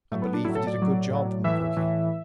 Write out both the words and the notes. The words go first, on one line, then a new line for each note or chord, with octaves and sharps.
"I believe we did a good job, Mukoki!"
A2 F#3 A3
B3
D4
A2 F#3 E4
A4
D5
A2 F#3
A2 F#3
A2 E3 E5
A2 E3